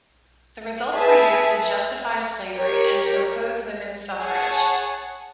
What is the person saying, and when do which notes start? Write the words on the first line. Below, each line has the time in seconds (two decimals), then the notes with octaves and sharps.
The results were used to justify slavery, and to oppose women's suffrage.
0.91 G#4 B4 E5 A5
2.55 G4 A#4 C#5
4.18 G#4 C#5 F#5 A5